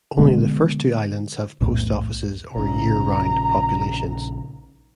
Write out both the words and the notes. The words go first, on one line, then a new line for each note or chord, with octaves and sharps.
Only the first two islands have post offices or year-round populations.
B2 D3 G#3 B3
B1 E2 A2
A#1 C#3 A#5